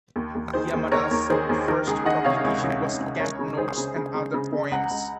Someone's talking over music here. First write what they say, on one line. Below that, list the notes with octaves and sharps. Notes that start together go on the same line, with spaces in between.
Yamada's first publication was Camp Notes and Other Poems.
D#2
D#2
D#3 G#4 C5
D#2
D#2 A#4 C#5
D#2
D#3 G#4 C5
D#2
D#3 A#4
C#2 G#4
D#3 D#5 F#5
C3 C#5 F5
C#2
C#2
C#2
C#2
C#2 A#4 C#5
C#3
C#2 G#4 C5
C#3
C#3
C#3
C#3
C#3
C#2 F#5 A#5
C#2